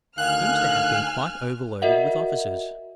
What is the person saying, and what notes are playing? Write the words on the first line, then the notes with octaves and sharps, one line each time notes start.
He seems to have been quite overloaded with offices.
D2 D#3 F5 G#5 F6 F#6
F#4 A#4 D#5 E5 F#5